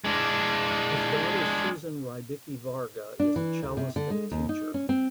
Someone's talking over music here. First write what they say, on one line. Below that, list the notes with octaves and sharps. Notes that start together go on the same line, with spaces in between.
His daughter Susan Rybicki-Varga is a cellist and teacher.
G#3 D4
D4
E3
D2
C3
D3
G#3
D#2
D#4
C#4
C4